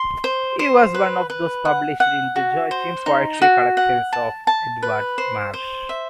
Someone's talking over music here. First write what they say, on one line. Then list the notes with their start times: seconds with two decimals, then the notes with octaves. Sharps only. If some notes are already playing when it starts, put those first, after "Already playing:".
He was one of those published in the Georgian poetry collections of Edward Marsh.
Already playing: C6
0.24 C5
0.59 C5
0.94 B4
1.30 B4
1.65 F#5
2.00 F#5
2.36 F#4
2.71 C5
3.06 D#4
3.42 F#4
3.77 F#5
4.13 A5
4.47 A5
4.82 B4
5.18 C5
5.54 C5
5.89 E5